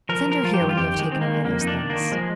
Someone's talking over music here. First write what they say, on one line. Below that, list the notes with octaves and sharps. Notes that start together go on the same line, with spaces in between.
"Send her here when you have taken away those things."
F3 A#4
F3
A#4
F3 F4
G4
G2
F4
F2 G4
D#3
G#3
D#3 C4
A#3
D#3
G#3
F2 A#3
F2 D#4
D4
D#3
A#3
D#3
F3 G#3